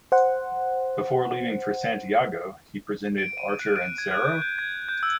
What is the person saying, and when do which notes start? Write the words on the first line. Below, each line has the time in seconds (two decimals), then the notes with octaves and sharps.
Before leaving for Santiago, he presented Acher en serio?
0.12 C5 F#5
3.18 D7
3.38 D#7
3.59 F#6
3.76 D7
3.98 G#6
4.12 F#6
4.25 G6
4.42 G6
4.59 G#6
4.89 G6
5.03 E6